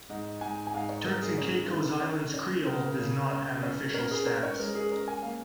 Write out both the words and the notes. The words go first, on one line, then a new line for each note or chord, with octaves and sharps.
Turks and Caicos Islands Creole does not have an official status.
G#2 D#5
G#2 G#5
G#5
G#2 F5
C#5
G#2 A#4
G#4
C#4
D#3
C#4
C#4
C#3 A#4
C#3
C#4
C#4
C#4 A#4
G#4
C#4 A#4
C#5
G#3 A#4
G#4
C#4 A#4
G#5
A#3 F5